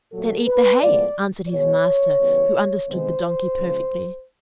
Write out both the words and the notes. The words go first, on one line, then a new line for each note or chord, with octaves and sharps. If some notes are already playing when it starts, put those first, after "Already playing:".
"Then eat the hay!" answered his master, who understood the Donkey perfectly.
A#2 F#3 A3 A4
B4
A2 F3 G#3 B3 D5
B2 G#3 B3 C#5
C#3 E3 G3 B3
C3 D#3 G#3 B3 C5
C#3 F3 G#3